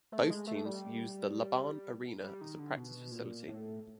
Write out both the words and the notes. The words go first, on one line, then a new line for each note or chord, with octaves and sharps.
Both teams use the LaBahn Arena as a practice facility.
A3
G#3
A3
G3
G3
D#3
D3
B2
A#2
A2